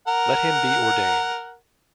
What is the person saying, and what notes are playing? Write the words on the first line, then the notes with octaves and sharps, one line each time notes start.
Let him be ordained.
A#4 F#5